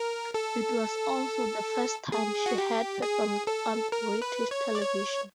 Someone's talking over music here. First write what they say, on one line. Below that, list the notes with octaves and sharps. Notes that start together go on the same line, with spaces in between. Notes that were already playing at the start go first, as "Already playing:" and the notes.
It was also the first time she had performed on British television.
Already playing: A#4
A4
G#4
F#4
G4
G#4
A4
A#4
B4
C#5
D5
C#5